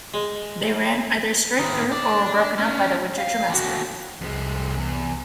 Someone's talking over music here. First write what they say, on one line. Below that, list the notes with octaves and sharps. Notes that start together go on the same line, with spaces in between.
They ran either straight through or were broken up by the winter trimester.
G#3
A2 D#3
D4 D5
C#4 D4
F5
D#2 F#4
C2 F2 G#3
E2